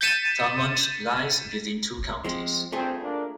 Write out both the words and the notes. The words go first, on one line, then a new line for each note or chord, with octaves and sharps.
Tallmadge lies within two counties.
G6 A6 B6 C#7 D#7 E7
F3 G#3 C4
G2 A3 C4 F4 G#4
A#3 D4